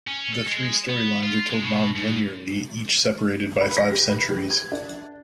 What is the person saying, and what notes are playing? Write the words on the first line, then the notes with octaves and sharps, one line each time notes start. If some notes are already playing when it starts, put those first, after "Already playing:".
The three story lines are told nonlinearly, each separated by five centuries.
C#4
A4
G#3
B3
F4
G#3
B2
G#2
B4
A#6
G4
B4
G4
G#6
D4